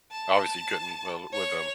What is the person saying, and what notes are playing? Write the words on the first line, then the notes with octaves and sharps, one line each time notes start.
obviously couldn't, well, with, um,
A5
C#5